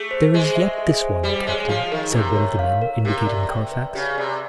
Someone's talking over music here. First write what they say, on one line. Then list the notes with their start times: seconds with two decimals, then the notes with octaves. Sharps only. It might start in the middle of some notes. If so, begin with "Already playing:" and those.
"There is yet this one, captain," said one of the men, indicating Carfax.
Already playing: A3 G#4
0.11 C5
0.34 G#3 G#4
0.55 E5
0.78 G#4
1.01 C5
1.23 G3 G4
1.47 G#3 C#5
1.68 F3 F5
1.92 D#3 A#4
2.14 C3 G4
2.37 C#5
2.59 F5
2.82 A#4
3.05 C3 G4
3.27 D5
3.50 G5
3.72 B4
3.95 C#3 G4
4.17 C3 D5